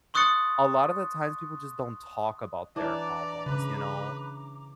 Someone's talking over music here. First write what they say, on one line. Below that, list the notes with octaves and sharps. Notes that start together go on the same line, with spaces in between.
a lotta the times people just don't talk about their problems, you know?
C6 C#6 D#6 F#6 A6 C#7
E3 D4 D5 A#5 D6
C#3 B4